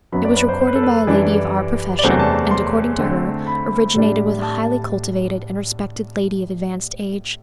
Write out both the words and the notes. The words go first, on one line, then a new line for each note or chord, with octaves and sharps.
It was recorded by a lady of our profession, and according to her, originated with a highly cultivated and respected lady of advanced age.
F#2 F#3 B3 B5
D5
B4
C5
C5
B4
A4
B4
F#2 E3 G3 D4
D5
E2 C3 F#3 A3 D4 C5
A5
C6
D3 A3 C4
B5
A2 G3 D4
A5